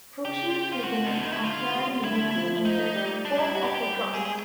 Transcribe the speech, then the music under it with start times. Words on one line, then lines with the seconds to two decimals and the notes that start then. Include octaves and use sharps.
Cruciate ligaments are paired ligaments in the form of a cross.
0.24 C#3 G4
0.72 F4
0.84 C3 F#4
1.07 D4
1.14 D3
1.20 D#4
1.32 E4
1.44 D3 F4
1.75 C3
2.04 D3 E4
2.35 F3
2.65 D#4
2.95 G3
3.25 D4
3.39 E4
3.55 G3 F#4
3.64 G4
3.74 G4
4.14 G#3 G#4
4.25 G#4